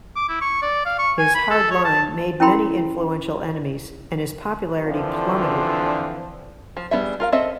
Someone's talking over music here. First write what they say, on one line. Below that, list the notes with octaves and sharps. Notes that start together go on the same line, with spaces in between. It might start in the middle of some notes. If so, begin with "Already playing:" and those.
His hard line made many influential enemies, and his popularity plummeted.
D6
E4
C#6
D5
F5
C#6
G#5
B5
A4
C#5
A5
C#4 E4 A#4 G5 B5 C6
D3 E3 F3 C4 D4 F4
F3
G3 B3 D4 G#4 E5
F4 A#4 F5
C4 A4 D#5 E5